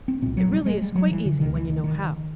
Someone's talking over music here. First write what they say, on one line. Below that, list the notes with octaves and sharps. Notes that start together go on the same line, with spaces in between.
It really is quite easy when you know how.
C4
C2 A#2 C4
F#3
G3
G#3
G3
F#3
E3
D3
D2 C3 D#3
E3
D#3
D#3
D#3